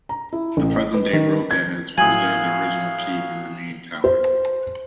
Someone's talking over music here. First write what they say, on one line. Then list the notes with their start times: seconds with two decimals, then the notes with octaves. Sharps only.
The present-day Rocca has preserved the original keep and the main tower.
0.09 A#5
0.33 E4
0.57 A1
0.73 D#5
0.94 B4
1.13 D#3
1.51 G#6
1.98 A2 F#3 F5 G#5 D#6 G#6 F#7
4.04 C5